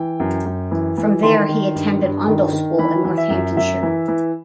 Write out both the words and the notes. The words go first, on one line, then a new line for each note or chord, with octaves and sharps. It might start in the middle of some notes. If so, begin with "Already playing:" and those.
From there he attended Oundle School in Northamptonshire.
Already playing: E3 G5
F#2
F#2
E3
E3
D#3 C6
D#3
G2
G2
D#3
D#3
E3 B5
E3
E5
F#2
F#2 E5
E3
E3